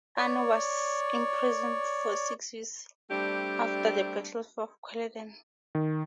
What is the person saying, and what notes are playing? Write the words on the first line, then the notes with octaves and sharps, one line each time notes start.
Anne was imprisoned for six weeks after the Battle of Culloden.
C#5 D5
G3 A3 C4 D4 G4
D#3